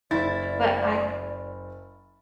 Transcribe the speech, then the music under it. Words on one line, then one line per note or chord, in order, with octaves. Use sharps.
but, I
F#1 E4 D5 A6